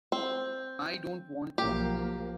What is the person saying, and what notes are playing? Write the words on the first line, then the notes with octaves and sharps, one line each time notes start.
I don't want one.
C4
B1 F3 A#3 G4